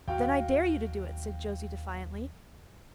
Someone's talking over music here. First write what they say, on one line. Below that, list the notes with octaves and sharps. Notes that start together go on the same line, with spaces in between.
"Then I dare you to do it," said Josie defiantly.
D#2 D#3 F#3 F#4 F5 G5